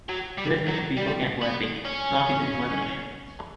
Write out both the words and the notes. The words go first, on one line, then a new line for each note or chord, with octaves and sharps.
Redheaded people can’t wear pink, not even in imagination.
F#3
G3
F#3
G3
B3
C#4